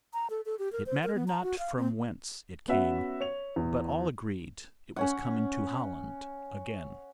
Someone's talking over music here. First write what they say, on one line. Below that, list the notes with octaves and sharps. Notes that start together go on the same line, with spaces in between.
It mattered not from whence it came; but all agreed it was come into Holland again.
A#5
A4
A4
G4
A#4
C5
A#4
B3
A#5
F#4
F5
C4
B3 C#4 F#4 E5 F#5
C#5 F7
E2
C#4 C#5 F#5